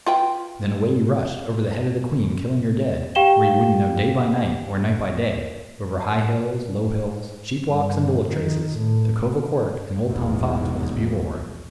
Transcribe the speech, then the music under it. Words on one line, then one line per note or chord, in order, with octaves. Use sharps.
Then away he rushed, over the head of the queen, killing her dead, where you wouldn't know day by night or night by day, over high hills, low hills, sheep walks and bullock traces, the Cove o' Cork, and old Tom Fox with his bugle horn.
F4 B4 G5
G4 F5 G5 E7 G7
G2
D#3
A2
F1 B1 E2 G#2